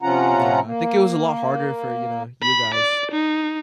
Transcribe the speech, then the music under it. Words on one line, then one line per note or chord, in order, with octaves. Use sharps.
Yeah, I think it was a lot harder for, you know, you guys
C3 F3 C#4 F4 F#5 A#5
A#3
B5
D5
D#4